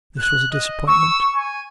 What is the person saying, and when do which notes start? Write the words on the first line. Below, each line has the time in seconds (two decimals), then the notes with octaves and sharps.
This was a disappointment.
0.19 F#6
0.52 D#5
0.87 C#6 E6
1.36 G#5